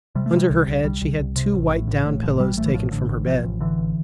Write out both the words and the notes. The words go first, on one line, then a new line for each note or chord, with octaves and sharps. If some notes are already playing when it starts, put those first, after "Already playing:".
Under her head she had two white down pillows taken from her bed.
C3 G3
A3
C3 G3
C2
C2
C2 G3
C2
C2
C3
A1
A2
A1
A2
A1 F3
A1 G3
A1 A3
E3
A2 F3
A1 D3
A1
A1 F3
A1
D3 E3
A1